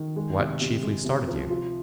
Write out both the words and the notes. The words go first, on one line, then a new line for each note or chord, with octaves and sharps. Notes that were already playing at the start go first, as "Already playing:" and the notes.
"What chiefly started you?"
Already playing: D#3
G#3
C3
C3
G#3
C3
F3
F4